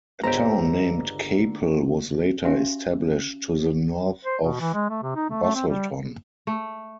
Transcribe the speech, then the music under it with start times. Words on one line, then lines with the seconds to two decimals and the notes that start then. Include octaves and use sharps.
A town named Capel was later established to the north of Busselton.
0.24 G1 C#2 D3 B3 G4 C5 A#5
2.45 C#4 F#4 G4 E5 F5 G#5
4.25 C5
4.44 B2
4.60 E3
4.74 G#3
4.90 A3
5.03 C3
5.16 D#4
5.30 A3
5.43 A3
5.55 C4
5.68 G3
6.47 A3